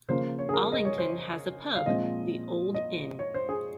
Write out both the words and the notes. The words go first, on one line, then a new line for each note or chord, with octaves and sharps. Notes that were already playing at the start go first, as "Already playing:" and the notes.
Allington has a pub, the Old Inn.
C#3 F3 A#3 C5
C#5
G#4
A#4
D#5
C#5
C5
F5
A#2 F3 G#3 C4 D#5
D#5
C#5
C5
G#4